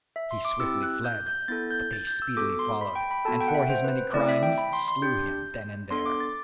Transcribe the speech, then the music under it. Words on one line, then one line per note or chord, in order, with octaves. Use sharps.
He swiftly fled, but they speedily followed, and for his many crimes slew him then and there.
E5
C6
D6
C4 E4 G4 E6
F#6
G6
G6
B3 E4 A4 A6
G6
A6
G6
E6
B3 F#4 A4 D6
C6
B5
G5
B5
B3 F#4 A4 A5
G5
F#5
E5
C5
B4
A3 C4 E4 D5
E5
G5
B5
C6
C6
D4 G4 G6
B3 D4 A4 C6
D6
A6